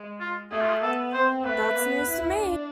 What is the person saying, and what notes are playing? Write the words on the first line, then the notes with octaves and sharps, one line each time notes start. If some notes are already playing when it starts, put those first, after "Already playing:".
That's news to me.
Already playing: G#3
F4
A3 G#4
F4
G#4
B3 A4
C4 C5
A3 B4
B3
E4
D4